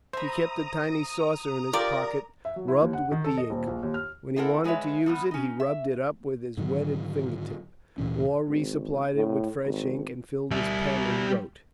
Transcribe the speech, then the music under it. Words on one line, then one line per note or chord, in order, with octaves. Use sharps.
He kept a tiny saucer in his pocket, rubbed with the ink; when he wanted to use it, he rubbed it up with his wetted finger-tip, or resupplied it with fresh ink, and filled his pen and wrote.
C5 E5 A#5 B5 D#6
F4 G4 A#4 D5 D6
E5
F#3
E4
D#2
F#5
D#3
A4
D#5
D#1
A#1
D#2
F6
A3 C4 E4 A4 A#4 F#5
G#2 G#3 B4 C#5 E5
F3 G3 B3
C#4 D#4
E5
G#2 D3 D#3 F#3
D2 A#2 E3 C#4
G#1
A2
G#1
G3 E5